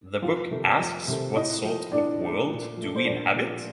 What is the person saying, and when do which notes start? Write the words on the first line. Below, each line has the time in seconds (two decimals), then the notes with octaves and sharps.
The book asks what sort of world do we inhabit?
0.22 F2 F4 F5
0.51 C3 D#3 A3
0.79 F2
1.08 C3 D#3 A3
1.36 A2 D#4 D#5
1.65 F3 A3
1.92 A2 D4 D5
2.21 F3 A3
2.49 A#2
2.77 F3 A3
2.96 C5
3.05 A#2 D4 D5
3.34 F3 A3